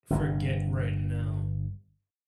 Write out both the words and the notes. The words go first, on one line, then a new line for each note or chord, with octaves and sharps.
forget right now.
G1 G2